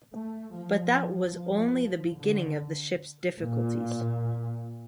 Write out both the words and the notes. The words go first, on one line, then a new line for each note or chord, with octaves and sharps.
But that was only the beginning of the ship's difficulties.
A3
F3
F3
D3
A#2